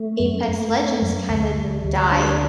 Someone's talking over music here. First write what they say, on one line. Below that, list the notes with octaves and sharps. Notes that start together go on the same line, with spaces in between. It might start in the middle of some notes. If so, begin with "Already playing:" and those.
Apex Legends, kinda, died
Already playing: A3
F#2
A3
A3
F#2
D2
G3
D2
D4